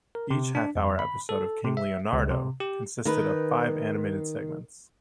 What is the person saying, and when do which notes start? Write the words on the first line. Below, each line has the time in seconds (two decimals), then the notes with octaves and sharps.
Each half-hour episode of "King Leonardo" consisted of five animated segments.
0.15 A#4
0.30 C3
0.55 D4
0.75 F2
0.99 B5
1.29 A4
1.65 C3
1.77 E5
2.13 C#2
2.30 C3
2.60 G4
3.05 D#3 B4